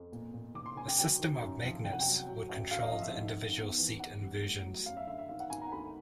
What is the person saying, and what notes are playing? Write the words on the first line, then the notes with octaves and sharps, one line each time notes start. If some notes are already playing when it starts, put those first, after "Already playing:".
A system of magnets would control the individual seat inversions.
Already playing: F2
A#2
A#2
F1 D6
C6
F1 G#5
G5
F#3 G5
D#3
F#2
F3
C2 G5
F#5
G5
F#3
F#3
A1
D2 F5
D#5
F3 D#5
E5
G#1
G#1
E2
E3
E3 F#5
G3
A3
F#3
F#2 F5
E5
D3 E5
E5
G#1 F5
F#5
G#1 G#5
A#5
D2 B5